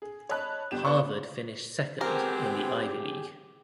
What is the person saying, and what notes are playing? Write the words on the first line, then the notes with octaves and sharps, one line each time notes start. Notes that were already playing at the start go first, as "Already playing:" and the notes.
Harvard finished second in the Ivy League.
G#4
C#5 D#5 A5 B5 F#6
G1 G4 E7
B4 D5 C6 C#6
G#3 B3 C4 G4 G#4 A#4